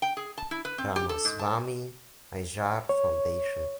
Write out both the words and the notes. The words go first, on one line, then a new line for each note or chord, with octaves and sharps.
Ramaswami Aiyar Foundation.
G5
G#4
A5
E4
B4
C4
G4
A4
G#2
A5
C#5